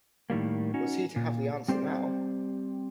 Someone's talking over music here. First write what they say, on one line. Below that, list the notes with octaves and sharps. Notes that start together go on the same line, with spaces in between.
Was he to have the answer now?
A2 D#3 G3 A#3
C#4 D#4 F#4
A#2
G3 C4 G4 C5 D5